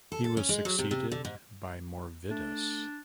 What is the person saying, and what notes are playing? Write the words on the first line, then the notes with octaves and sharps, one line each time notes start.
He was succeeded by Morvidus.
A4
A4
C#4
G#3
F#3
C3
C3
D3
G#2
A3 D4